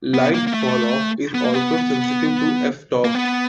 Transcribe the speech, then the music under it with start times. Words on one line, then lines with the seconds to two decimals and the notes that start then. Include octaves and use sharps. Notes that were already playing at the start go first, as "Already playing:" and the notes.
Light falloff is also sensitive to f-stop.
0.14 B3
0.34 A#3
0.47 A#3
0.54 A3
1.34 B3
1.44 A#3
1.54 B3
3.04 A#3
3.15 B3